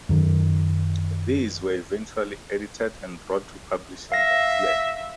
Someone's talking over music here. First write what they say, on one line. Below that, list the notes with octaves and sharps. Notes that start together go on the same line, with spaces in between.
These were eventually edited and brought to publishing by Claire.
F#2 D#3
E5 F5 A#6